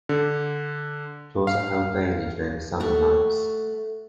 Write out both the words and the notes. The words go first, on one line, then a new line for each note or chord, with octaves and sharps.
Tours are held daily during the summer months.
D3
F5
A3 F#4